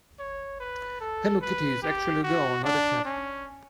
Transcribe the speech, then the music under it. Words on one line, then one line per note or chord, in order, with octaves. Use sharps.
Hello Kitty is actually a girl, not a cat.
C#5
B4
A4
B4
G4
F#4
D4
C#4